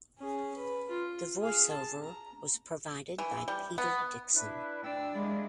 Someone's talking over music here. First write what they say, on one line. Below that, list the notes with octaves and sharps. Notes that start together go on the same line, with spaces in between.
The Voice Over was provided by Peter Dickson.
C#4 G#4
B4
F4
G#4 F5
A5
A#5
E3
G3
B3
D4 E4 B4
D2 D4 G5 E6
C3 G#3 A#3 E4